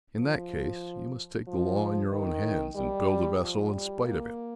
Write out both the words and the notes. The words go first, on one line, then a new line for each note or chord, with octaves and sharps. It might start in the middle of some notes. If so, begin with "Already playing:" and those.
"In that case, you must take the law in your own hands, and build a vessel in spite of him."
F3
F3
D#3
G3
F3
G3
A#3